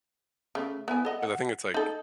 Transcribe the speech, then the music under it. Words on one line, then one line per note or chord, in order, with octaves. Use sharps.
'cause I think it's like
C#3 A3
B3 E4 G#5
A4 D#5 F#5
F#5
D#4 A4